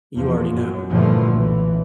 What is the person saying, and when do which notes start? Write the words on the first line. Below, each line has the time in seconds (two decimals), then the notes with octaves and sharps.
You already know,
0.17 E2 F3
0.53 F#2
0.90 G2 A#2 D3 E3 F3 A3
1.34 B1 E3